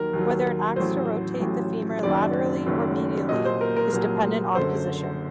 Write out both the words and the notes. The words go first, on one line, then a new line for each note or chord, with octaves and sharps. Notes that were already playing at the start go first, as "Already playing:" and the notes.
Whether it acts to rotate the femur laterally or medially is dependent on position.
Already playing: D#2 D#3 F#3 A#4
D#2 D#3 F#3
A1 A2 F#3 C5
A1 A2 F#3
F#1 F#2 D#3 F#3 D5
F#1 F#2 D#3 F#3
C2 A#2 F#3 D#5
C5
A#4
A#4
C2 A#2 F#3 A#4
F#1 F#2 D3 F#3 C5